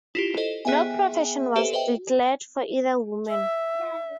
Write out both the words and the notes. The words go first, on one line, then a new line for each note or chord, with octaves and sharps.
No profession was declared for either woman.
E4 F4 G4
A4 C5 D#5
B3 G#4 E5 G5 G#5
G4 A4 B4 C5 E5
B4 C5 D#5 E5 G5
E5